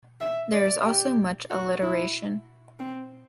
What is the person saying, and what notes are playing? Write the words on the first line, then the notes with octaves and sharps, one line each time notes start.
There is also much alliteration.
E5
D5
G4
F#4
E4
C4